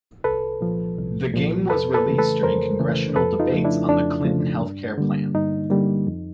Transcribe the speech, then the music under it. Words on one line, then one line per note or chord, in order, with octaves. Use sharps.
The game was released during Congressional debates on the Clinton health care plan.
C2 A4 B4
A#2 F3
C2
A#2 F3
F2 A4 B4
A4 B4
C#3 E3 A3
A4 B4
F2 A#4 C5
C#3 E3 A3
F2 A4 B4
D#4 F4
C#3 F3 A3
D4 E4
F2 D4
C#3 F3 A3
G2
D3 G3 A#3
G2 D#4
D3 G3 A#3
F2